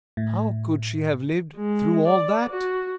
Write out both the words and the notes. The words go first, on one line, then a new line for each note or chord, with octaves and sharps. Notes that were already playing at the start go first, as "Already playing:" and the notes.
How could she have lived throughout all that?
A2
G#3
D5
F#4